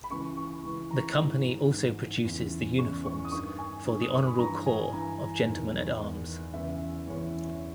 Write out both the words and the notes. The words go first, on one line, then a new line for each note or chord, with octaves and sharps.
The company also produces the uniforms for the Honourable Corps of Gentlemen at Arms.
B5
C#2 C#3 E3 C#6
C#6
C#2 C#3 E3
A#5
G#2 E3
G#2 E3
E2 C#3 E3
E2 C#3 E3 C#6
C#6
D#6
G2 D#3 C#6
G#5
G2 D#3
D#6
C#6
B5
G2 E3 A#5
G#5
G2 E3 A#5
E2 D#3
E2 D#3
E2 C#3 E3 E5
E2 C#3 E3 C#5